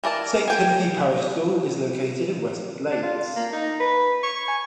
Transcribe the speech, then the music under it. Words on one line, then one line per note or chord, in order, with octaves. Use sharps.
Saint Timothy Parish School is located in Westwood Lakes.
E3 A#4 D5 A5
G5 G#5
D4
F4
A#3
D#4
B4
C#6
G#5